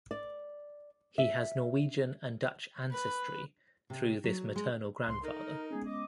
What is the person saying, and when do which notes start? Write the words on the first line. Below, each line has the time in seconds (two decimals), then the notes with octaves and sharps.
He has Norwegian and Dutch ancestry through this maternal grandfather.
0.11 D5
1.18 E5
2.91 B4
3.90 C3
4.24 F#3
4.56 G#3
5.07 C2 C6
5.24 D#4 A4 A#4
5.71 G#3 B3 C#4 G#4
5.86 D#5 D6